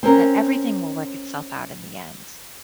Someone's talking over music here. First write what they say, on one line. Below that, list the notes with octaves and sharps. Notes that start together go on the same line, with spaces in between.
that everything will work itself out in the end
C4 C#4 A#4